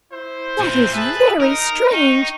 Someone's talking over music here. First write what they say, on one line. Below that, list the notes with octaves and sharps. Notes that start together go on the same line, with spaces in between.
That is very strange!
E4 C5
A#2 C4
G#4 B4 E5 A5
D#4 A#4
D#4 G5 C#6